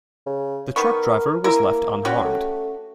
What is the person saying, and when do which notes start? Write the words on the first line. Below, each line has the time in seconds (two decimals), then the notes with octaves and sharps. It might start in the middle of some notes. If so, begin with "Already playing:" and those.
The truck driver was left unharmed.
0.26 C#3
0.76 D#3 B3 A#4 C#6
1.44 A#3 E4 A#4
2.05 C#4 F#4 G4
2.25 A3